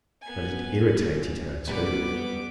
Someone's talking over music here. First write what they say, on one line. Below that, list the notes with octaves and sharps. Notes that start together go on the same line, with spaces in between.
But it irritated her too.
B3 G#5
G3 B3 B4 D6